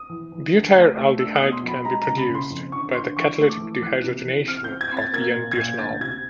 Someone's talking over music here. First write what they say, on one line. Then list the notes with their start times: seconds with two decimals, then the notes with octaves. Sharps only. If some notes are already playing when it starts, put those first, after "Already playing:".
Butyraldehyde can be produced by the catalytic dehydrogenation of "n"-butanol.
Already playing: D#6
0.10 E3
0.32 E3
0.54 D2
0.76 A3
0.97 A3
1.19 D4 E6
1.35 D#6
1.41 B2
1.52 C6
1.63 F#3 B5
1.84 G#3 A#5
2.02 C#3 A#5
2.18 B5
2.29 C#3
2.35 C6
2.50 F2
2.72 D3 C#6
2.95 D3 C6
3.17 E3 C#6
3.38 A3
3.49 D6
3.60 E3
3.82 E3 F#6
4.04 C3
4.26 E3
4.48 C4 F6
4.64 G6
4.70 C4
4.81 G#6
4.92 C4 A6
5.13 A#3 G#6
5.36 A#2
5.52 G#6
5.57 A#2 G6
5.79 D2 A6
6.00 C3 G#6